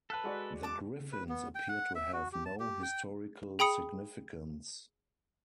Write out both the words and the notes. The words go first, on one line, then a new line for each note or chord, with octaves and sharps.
The griffins appear to have no historical significance.
A4 B4 A5 F#6 B6
G#3 F#4 D5
A5 D6
B4
B3
G5
F#5
E5
F#4
G4
A5
G4
G5
G#4 G5 B5 D#6 C#7